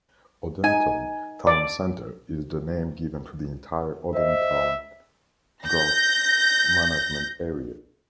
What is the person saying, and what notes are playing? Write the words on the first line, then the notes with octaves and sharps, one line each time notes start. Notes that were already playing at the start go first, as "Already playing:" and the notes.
Odenton Town Center is the name given to the entire Odenton Growth Management Area.
D#4 G#5
D5
C5 D#5 E5
G6 A#6